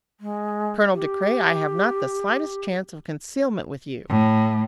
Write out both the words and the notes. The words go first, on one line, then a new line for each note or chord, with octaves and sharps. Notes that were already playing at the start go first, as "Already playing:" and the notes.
Colonel De Craye, I have not the slightest chance of concealment with you.
G#3
G4
A2